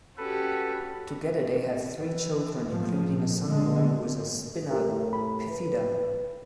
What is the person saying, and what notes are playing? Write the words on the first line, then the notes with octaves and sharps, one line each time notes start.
Together they have three children, including a son born with spina bifida.
C#4 F#4 G4 A4 B4
E3
A2 F3
A#2
D3 G#3
A2 E4 G4 A#4
B5
B4